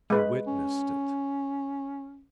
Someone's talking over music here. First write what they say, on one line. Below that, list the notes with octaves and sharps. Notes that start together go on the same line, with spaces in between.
He witnessed it.
G#3 B4
C#4